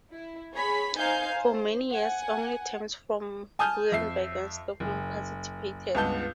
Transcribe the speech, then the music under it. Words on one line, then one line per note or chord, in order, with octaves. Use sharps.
For many years only teams from Gothenburg and Stockholm participated.
E4
G#4 C#5 B5
D#4 C5 F5 G#5 G6
C5
F#5 G#5
G#5 A5 D#6 F6 G6
F2 E5 E6 C7
F#1
C#2 G2 B3 A5 G6